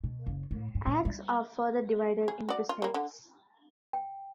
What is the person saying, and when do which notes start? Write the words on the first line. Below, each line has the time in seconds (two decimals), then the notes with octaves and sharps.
Acts are further divided into sets.
0.04 B2
0.27 F#1
0.51 A2
0.75 G2
0.87 A#2
1.05 G3
2.28 G#4
2.49 F#4 D5
2.69 F4
2.82 G3 A#3
2.94 D3
3.93 G5